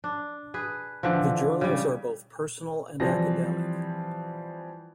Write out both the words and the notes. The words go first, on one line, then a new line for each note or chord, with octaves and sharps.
The journals are both personal and academic.
D4
G#4 B4
D3 E3 F3
C#3 G3
E3 F3 G3 C4 A#6